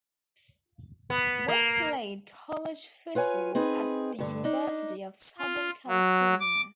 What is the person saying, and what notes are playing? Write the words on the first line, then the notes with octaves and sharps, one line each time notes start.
Webb played college football at the University of Southern California.
B3
A#3
F4 B4 C#5 G#5
C4 D#4 G#4 B4
G2 D3
D4 D#4
F4
F#3
D6